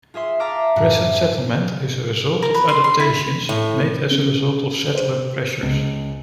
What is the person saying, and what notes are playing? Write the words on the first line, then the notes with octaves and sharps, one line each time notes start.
Present settlement is a result of adaptations made as a result of settler pressures.
F4 G#4 E5 C6
E5 F5 A5 A#5 D6 F6
F#2 A2 F#5
A#4
B4
C6
C6
E4
A2
C#3
C5
C#2